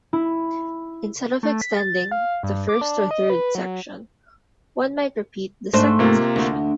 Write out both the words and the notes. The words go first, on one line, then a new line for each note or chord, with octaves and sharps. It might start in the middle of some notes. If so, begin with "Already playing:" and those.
Instead of extending the first or third section, one might repeat the second section.
E4
A3
B6
A6
F5
G2
D6
D4
D#5
B4
F#3
G#2 A3 D4 C5
C3 A#3 F4
D2